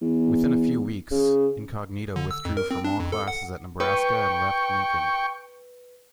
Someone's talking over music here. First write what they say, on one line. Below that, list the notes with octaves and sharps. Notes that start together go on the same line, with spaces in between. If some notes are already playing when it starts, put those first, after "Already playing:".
Within a few weeks, Incognito withdrew from all classes at Nebraska and left Lincoln.
E2
C#3
D3
E6
F2
A#4
C4
D4
F2
A4
F#5
B4 G5 C#6